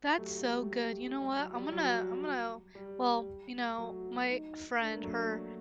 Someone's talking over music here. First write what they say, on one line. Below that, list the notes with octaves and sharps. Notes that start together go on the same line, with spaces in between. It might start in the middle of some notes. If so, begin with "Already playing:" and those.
That's so good. You know what? I'm gonna I'm gonna well, you know, my friend, her
F#3 A3 G4
G3
F#3
G3
F#3 F#4
G3 G4
F#3 A3 F#4
D#4
A3 D4
A#3
F#3 A3